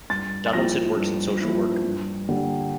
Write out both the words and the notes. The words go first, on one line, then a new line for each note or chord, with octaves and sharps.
Donaldson works in social work.
G2 A6
A6
F3 A#3 E4 A#6
G2
F3 A#3 E4
G2
D3 G3 A#3